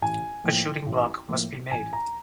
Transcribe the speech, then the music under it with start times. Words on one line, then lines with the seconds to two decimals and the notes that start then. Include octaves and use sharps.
A shooting-block must be made.
0.02 A1 G#5
0.44 A2 F3 A#3 G5
0.86 A1
1.29 A2 F3 A#3
1.71 A1 G#5
1.93 A#5